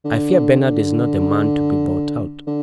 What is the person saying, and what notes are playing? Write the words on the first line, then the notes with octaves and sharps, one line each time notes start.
"I fear Bernard is not the man to be bought out."
D3
D3
D3
D3